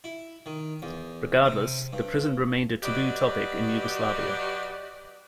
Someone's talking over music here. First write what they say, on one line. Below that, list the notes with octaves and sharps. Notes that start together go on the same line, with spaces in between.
Regardless, the prison remained a taboo topic in Yugoslavia.
E4
D#3
E2
C3
G2
F#3 F#4 G4 B4 D5 D#5